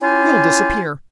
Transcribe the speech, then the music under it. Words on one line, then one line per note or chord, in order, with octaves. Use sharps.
You'll disappear.
C#4 E4 F4 G4 G#5